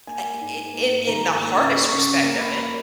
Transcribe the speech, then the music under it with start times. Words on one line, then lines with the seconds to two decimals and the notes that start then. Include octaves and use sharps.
I i i in in the hardest respect of it,
0.07 A#3 G#5
0.23 A#3
0.41 G#2
0.58 G#2
0.74 A#3
0.91 A#3
1.07 D#3 A#5
1.23 G#2
1.41 A#3
1.56 C#3
1.74 A#3 C#6
1.89 C#3 C#6
2.07 C#3
2.23 A#3
2.41 A#3 B5
2.57 A#3